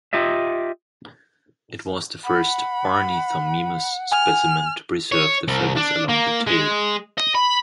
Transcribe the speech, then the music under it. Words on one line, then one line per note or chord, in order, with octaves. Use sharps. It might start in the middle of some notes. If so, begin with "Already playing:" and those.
It was the first "Ornithomimus" specimen to preserve the feathers along the tail.
F4 G4 D#5 E5
F#5 B5
G#5 F6
C#5
C2
D4
A#3
G#3
D#5
B5